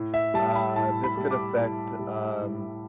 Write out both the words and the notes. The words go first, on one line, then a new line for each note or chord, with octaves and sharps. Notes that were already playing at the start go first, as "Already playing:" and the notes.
uh, "This could affect, um
Already playing: A2
E5
G3 A5
B5
A2 A5
B5
G3
D6
A2
G3
A2